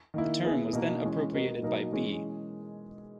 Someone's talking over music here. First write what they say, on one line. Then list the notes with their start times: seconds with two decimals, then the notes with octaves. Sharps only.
The term was then appropriated by B.
0.14 D#3 A#3 E4
0.44 B3 E4 G#4
0.73 B2 A#3 D#4 A#4
1.03 E3 G#3 C#4
1.33 B3 F#4 A#4 D#5
1.62 B2 F#3 A#3 D#4 A#4
1.92 E3 G#3 C#4 G#4